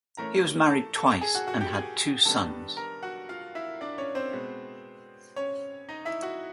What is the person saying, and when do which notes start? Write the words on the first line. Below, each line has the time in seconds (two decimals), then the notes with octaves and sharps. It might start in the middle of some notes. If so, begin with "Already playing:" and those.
He was married twice and had two sons.
0.17 E3 A3 C#4 A#4 A#5
0.70 A4 A5
0.96 A4 A5
1.21 G#4 G#5
1.35 F#4 F#5
1.47 F#4 F#5
1.61 G4 G5
1.73 G#4 G#5
2.25 D#3 G3 B3 D4 A4 A5
2.77 A#4 A#5
3.03 F#4 F#5
3.29 F4 F5
3.55 E4 E5
3.81 D4 D5
3.98 C#4 C#5
4.15 C4 C5
4.33 B2 G#3 B3
5.36 C#4 C#5
5.89 D#4 D#5
6.05 E4 E5
6.23 F#4 F#5